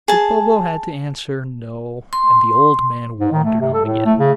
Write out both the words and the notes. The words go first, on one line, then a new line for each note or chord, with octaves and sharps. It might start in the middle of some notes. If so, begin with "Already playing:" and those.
But Bobo had to answer "No," and the old man wandered on again.
G#4 A5
C6
G#2
D#3
A3
C3
A4
A2
A3
C#3